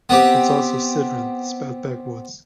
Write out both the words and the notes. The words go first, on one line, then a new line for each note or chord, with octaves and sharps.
It's also "Sidran" spelled backwards.
B3 C4 G4